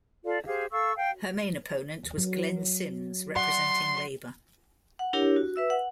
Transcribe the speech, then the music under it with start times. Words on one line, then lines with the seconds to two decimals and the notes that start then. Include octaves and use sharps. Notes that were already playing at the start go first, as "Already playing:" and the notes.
Her main opponent was Glenn Sims, representing Labor.
0.24 F4 A4 D5 F5
0.47 G4 G#4 C5 F5
0.71 A4 F5 C#6 E6
0.96 F5 G5
2.18 F#3
3.36 D5 F#5 C6
4.99 F#5
5.13 D4 E4 G4 A#4 C#5
5.36 F#4
5.56 B4 E5 E6
5.70 F#5